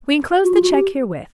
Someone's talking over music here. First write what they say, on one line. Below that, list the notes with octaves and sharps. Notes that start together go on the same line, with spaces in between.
We enclose the check herewith.
F#4
F4
F#4
G4